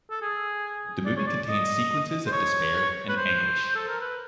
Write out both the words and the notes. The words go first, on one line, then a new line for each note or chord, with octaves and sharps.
The movie contains sequences of despair and anguish.
A4
G#4
D5
C#5
D5
D#5
C5
C#5
B4
C5
A4
A#4
B4